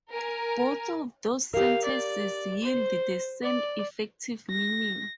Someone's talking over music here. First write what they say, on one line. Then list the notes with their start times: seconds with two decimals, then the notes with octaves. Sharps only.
Both of these sentences yield the same effective meaning.
0.11 A#4 G#5
1.54 G4 A#4 F5
1.84 D5
2.64 C5
3.43 D5
4.51 A#6